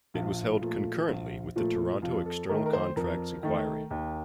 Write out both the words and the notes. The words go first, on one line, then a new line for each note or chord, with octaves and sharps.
It was held concurrently with the Toronto External Contracts Inquiry.
A#1 F4
A#2 F3 A3
A#1
A#2 F3 A3
F2 F4
A4
D#3 A3 A#4
A#4
C5
F2 A#4
D#3 A3
D#2